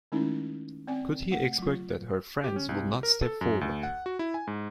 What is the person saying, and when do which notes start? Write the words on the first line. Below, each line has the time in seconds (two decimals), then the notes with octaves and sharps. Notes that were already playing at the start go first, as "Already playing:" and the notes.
Could he expect that her friends would not step forward?
0.12 D#3 G#3 A3 C#4 D#4 E4
0.87 C4 D5 G#5
1.31 A3 F#5
1.58 F#3 F4
2.44 G4
2.56 C#4
2.69 C2
3.03 A#4
3.22 A4
3.41 F#2
3.61 D2
3.83 F#5
4.06 F#4
4.19 E4
4.34 G#5
4.47 G#2